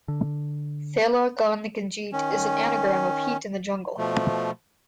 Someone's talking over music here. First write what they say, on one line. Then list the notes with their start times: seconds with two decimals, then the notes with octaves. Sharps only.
"Thela Hun Ginjeet" is an anagram of "heat in the jungle".
0.08 D3
2.13 D#3 C#4
3.98 B2 F3 A3